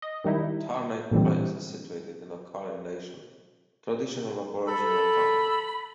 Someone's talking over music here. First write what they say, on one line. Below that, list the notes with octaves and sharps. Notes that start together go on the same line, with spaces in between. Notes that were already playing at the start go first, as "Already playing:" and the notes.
Tarneit Plains is situated in the Kulin nation traditional Aboriginal country.
D#5
D#3 G3 D#4 E4
A#2 D3 E3 G3 C4
A4 B5